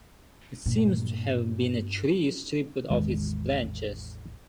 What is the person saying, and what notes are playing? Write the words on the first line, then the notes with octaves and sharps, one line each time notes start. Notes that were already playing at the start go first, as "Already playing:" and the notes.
It seems to have been a tree stripped of its branches.
G2 A#2
A1 E2 D#3 G#3